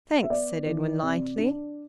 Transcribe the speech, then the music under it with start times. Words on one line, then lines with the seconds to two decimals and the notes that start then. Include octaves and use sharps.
"Thanks," said Edwin lightly.
0.23 E5
0.30 B3 D5
0.67 E3
1.03 C3
1.39 D4